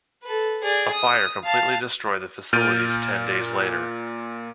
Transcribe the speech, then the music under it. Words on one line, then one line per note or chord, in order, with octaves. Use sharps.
A fire completely destroyed the facilities ten days later.
A4 B4
G#4 D5
D#6
F5 A5
A#2 F6 G6 A6 D7 D#7